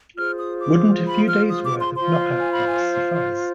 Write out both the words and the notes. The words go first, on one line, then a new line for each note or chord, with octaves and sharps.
Wouldn't a few days' worth of knockout drugs suffice?
F4 G#4 C5 F6
D#6
D6
B5
F6
D#6
D6
C6
F4 C5 C6
G#5
B5
G#5